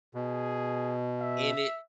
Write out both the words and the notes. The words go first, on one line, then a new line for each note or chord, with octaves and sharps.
in it
B2 G#4
E5